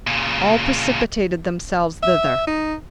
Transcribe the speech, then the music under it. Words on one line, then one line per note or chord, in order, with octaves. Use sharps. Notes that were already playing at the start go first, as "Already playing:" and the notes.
All precipitated themselves thither.
A#2 C#3
E5
D#4